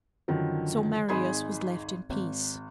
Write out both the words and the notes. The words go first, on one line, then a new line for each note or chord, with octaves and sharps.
So Marius was left in peace.
F#2 D3 D#3 F3
G#1 D#4 G#4 B5 C6 G#6
G#1